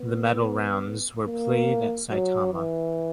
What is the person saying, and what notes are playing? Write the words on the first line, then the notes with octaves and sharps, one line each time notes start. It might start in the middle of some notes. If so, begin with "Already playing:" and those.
The Medal Rounds were played at Saitama.
Already playing: B3
A#3
F#3
E3